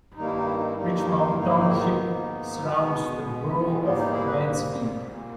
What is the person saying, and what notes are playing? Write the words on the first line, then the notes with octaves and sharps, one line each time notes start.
Richmond Township surrounds the borough of Mansfield.
G2 D#3 G3 A#3 D#4
E4
D#4
E4
D#4
E4
G2 D#3 G3 A#3 D#4
E4
D#4
E4
D#4
E4
G#2 D#3 A#3 D#4
E4
D#4
E4
B3 D#4
G#2 D#3 A#3
B2 G#3 B3
B2 G#3
G#2 G3 A#3 B3
D#4 G4
E4 G#4
G#4 B4
G#2 G3 A#3
A#2 A#3